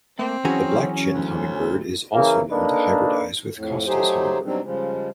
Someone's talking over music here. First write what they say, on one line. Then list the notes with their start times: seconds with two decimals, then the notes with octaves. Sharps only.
The black-chinned hummingbird is also known to hybridize with Costa's hummingbird.
0.19 A3 A#3 C4
0.45 E3 F#3 C#4 F#4 G#4 A#5
1.13 D2
2.15 C#3 E3 A#3
2.51 A#3 D4 D#4 A4 B4
3.55 F2 A2
3.87 F#3 A3 D#4 G4 G#4 C5
4.45 B2 F#3 G3 C4 D4 D#4
4.63 C#3 F3 G3 G#3